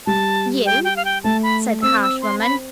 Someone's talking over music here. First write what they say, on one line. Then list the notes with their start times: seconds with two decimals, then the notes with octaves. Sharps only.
"You!" said the harsh woman.
0.06 G3 A5
0.66 G5
0.85 G5
0.96 F5
1.05 G5
1.24 A3 A5
1.43 B5
1.82 C4 E6
2.02 E6
2.22 C6
2.41 B5